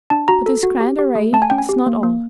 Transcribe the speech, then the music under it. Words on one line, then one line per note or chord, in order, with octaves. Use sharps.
But this grand array is not all.
D4 A5
F#4 A#5
A4
F#4
G4
G4
A3
A3 A5
G#5
C#4 G5
G#5
G4
A#3
A#3